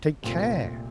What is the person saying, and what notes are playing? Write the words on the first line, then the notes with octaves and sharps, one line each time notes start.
Take care!
C2 A#2 A3 C4 F4